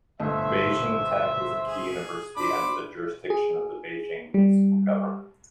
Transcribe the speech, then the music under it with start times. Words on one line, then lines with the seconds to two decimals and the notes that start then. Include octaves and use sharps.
Beijing Tech is a key university under the jurisdiction of the Beijing Municipal Government.
0.20 G1 A3 C5 D#5 E5
1.67 G#4
2.36 D4 C5 B5 D6
3.30 G#4
4.34 G3